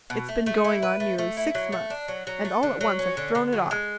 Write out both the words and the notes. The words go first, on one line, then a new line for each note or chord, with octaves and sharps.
It's been going on nearly six months, and all at once I've thrown it off.
B2
A3
A3
E4
B4
A3
A3
E4
F#3
A3
D4
F#3
F#3
A3
D3
F#3
C#4
D3
D3
F#3
G#3